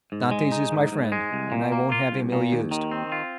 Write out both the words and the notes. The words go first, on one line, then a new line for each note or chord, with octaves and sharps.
"Dantes is my friend, and I won't have him ill-used."
G#2
G#3
D#4
G#2
G#2
G#3
C2
A#2
A#3
F4
C2
A#2
D#2
D#3
C4
F4